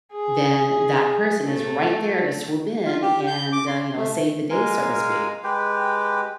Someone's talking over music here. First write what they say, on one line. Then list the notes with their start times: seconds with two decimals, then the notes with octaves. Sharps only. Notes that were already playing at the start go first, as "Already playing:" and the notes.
then that person is right there to swoop in and, uh, you know, save the day, so to speak.
0.13 G#4
1.45 A3
2.86 F4
3.02 G4
3.27 G6
3.52 D6
3.67 C6
3.96 A3
4.50 G#3 A#4 F5 G#5
5.44 G#3 G4 B4 G5